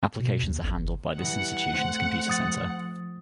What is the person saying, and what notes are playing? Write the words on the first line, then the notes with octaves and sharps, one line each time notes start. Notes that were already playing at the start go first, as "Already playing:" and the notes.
Applications are handled by this institution's Computer Centre.
B2
D#2
A1
F#1
E3 G3 F#5
A3 C4
F3 D#6 A6